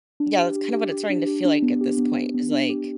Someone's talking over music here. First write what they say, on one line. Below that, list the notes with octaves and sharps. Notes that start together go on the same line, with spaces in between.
Yeah, that's kind of what it's starting to feel like at this point is, like
D4
G4
G4
G4
G4
D4
G4
D4
B3
G4
B3
G4
B3
D4
G4